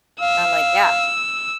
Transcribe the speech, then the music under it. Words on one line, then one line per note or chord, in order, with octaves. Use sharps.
I'm like, "Yeah."
F5 E6